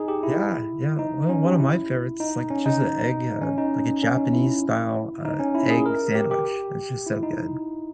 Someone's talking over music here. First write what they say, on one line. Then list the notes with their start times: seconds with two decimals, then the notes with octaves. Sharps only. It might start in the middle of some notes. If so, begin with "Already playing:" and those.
Yeah. Yeah. Well, one of my favorites, like, just a egg, uh like a Japanese-style, uh, egg sandwich. It's just so good.
Already playing: D#4 G#4
0.08 G4
0.23 E4
0.99 D#4
1.29 C#4
1.45 G4
1.60 E4
2.20 D#4
2.50 C#4
2.66 D#4
3.42 C#4
3.58 D#4
4.03 C#4
4.18 D#4
4.33 E4
5.25 D#4
5.40 C#4
5.55 E4
5.70 G#4
5.86 A#4
6.15 G4
6.31 G4
7.07 E4
7.23 D#4